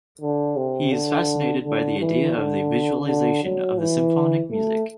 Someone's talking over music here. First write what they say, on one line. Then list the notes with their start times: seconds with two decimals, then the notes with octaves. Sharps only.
He is fascinated by the idea of the "visualization" of symphonic music.
0.21 D3
0.57 C3
0.92 D3
1.64 D3
1.99 E3
2.36 D3
3.07 D3
3.44 F#3
3.79 E3
4.51 A3